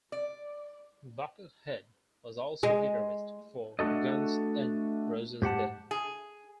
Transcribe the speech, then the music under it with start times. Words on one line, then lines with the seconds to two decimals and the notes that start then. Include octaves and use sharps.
Buckethead was also guitarist for Guns N' Roses then.
0.12 D5
2.63 G#3
3.79 A3 D4 F#4 A4 D#5
5.42 G#2 G4 F#5 A5
5.91 G#4